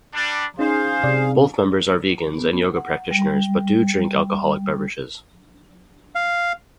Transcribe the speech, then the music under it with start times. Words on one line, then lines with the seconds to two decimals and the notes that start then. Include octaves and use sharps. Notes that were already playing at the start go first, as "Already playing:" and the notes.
Both members are vegans and yoga practitioners, but do drink alcoholic beverages.
0.14 G3 D4
0.59 C#4 D#4 G#4 C5 F5
1.04 C3 D5
2.34 B3
2.76 F#5
3.11 G3
6.15 F5